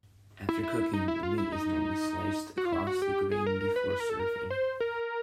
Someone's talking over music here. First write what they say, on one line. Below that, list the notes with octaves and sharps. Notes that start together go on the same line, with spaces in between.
After cooking, the meat is normally sliced across the grain before serving.
E4
E4
D#4
E4
F4
E4
D#4
F#4
F4
E4
F#4
G4
G#4
A#4
A#4
B4
B4
A#4
A4
A#4
C5
A#4